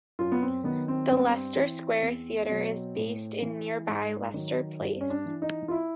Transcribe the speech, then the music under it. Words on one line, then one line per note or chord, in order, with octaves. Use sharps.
The Leicester Square Theatre is based in nearby Leicester Place.
F#2 F4
B3
C4
D#3 F#3 B3
C4
G2 C4
B3
C4
E3
E2
B2 F#3
A2
E3
G#2
D#3 F#3
G2
C#4
D4
E3
D#4
F4
E4